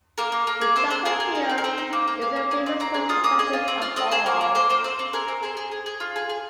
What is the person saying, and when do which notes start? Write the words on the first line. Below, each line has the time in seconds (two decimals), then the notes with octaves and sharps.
The Chocolate Hills is a famous tourist attraction of Bohol.
0.18 A#3 A#4
0.32 A#3
0.47 A#3
0.61 G#4
0.76 C4 C5
0.90 C4 C5
1.05 G#4 A#4
1.20 G#4
1.35 D#4
1.50 C4
1.58 A#4
1.64 C4 C5
1.78 D#4
1.93 A#3
2.08 A#3
2.22 G#4 F5
2.36 A#3
2.51 G#4
2.66 C4
2.80 C4 A#5
2.94 G#4
3.09 F4 D#6
3.24 A#3 D#6
3.39 G#4 D#5
3.53 F4
3.68 C4
3.82 F4
3.96 C4 D#5
4.11 G#4 C5
4.26 A#3 A#4
4.41 A#3
4.55 A#3 C5
4.70 A#3 C5
4.84 C4 C5
4.99 C4
5.13 G#4 A#4
5.28 C4
5.43 G#4 C5
5.57 G#4
5.71 G#4
5.86 G#4
6.00 F4
6.16 G#4
6.30 G#4